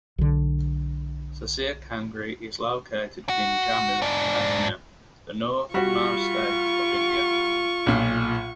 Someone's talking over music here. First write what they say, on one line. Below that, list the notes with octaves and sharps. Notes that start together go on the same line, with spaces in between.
Sasir Kangri is located within Jammu and Kashmir, the northernmost state of India.
B1 D3
F#4
G#2 D4
G3 F4 F#4 C#6
B1 A#2